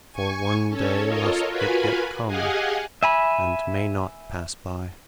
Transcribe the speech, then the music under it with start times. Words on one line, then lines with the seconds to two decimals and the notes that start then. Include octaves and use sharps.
For one day must it yet come, and may not pass by.
0.13 G#5 C#6
0.69 C#4 A4 C#5
1.06 F4 A4 A#4 C#5 D#5
1.49 F4 F#4 A#4 B4 G#5 B5
2.27 G4 G#4 D#5 F5 F#5 G#5
3.03 E5 G#5 B5